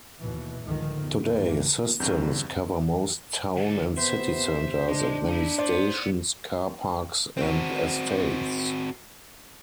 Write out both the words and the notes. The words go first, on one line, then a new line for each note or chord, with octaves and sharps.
Today, systems cover most town and city centres, and many stations, car-parks and estates.
D#2 B2 E3
C#2 A2 D3 D#3 F3
E2
G#2 E3 A#3
E2 G2 C4 G6
D2 A4
C3 B3 C5 E5
D4 D#5 C6
D#4 E4
A2 B3 C5 D5
C4 F#4